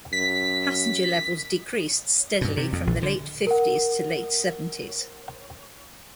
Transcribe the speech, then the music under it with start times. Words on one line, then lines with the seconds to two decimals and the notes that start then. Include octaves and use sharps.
Passenger levels decreased steadily from the late fifties to late seventies.
0.13 F#2 B6
2.41 G2 B2
2.57 C3
2.73 F2
2.87 A#1
3.03 D3
3.47 A#4 F#5